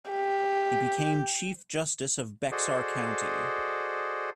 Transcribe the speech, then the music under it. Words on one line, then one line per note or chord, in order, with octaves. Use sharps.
He became Chief Justice of Bexar County.
G4
F#4 G#4 A4 C5 D5 D#5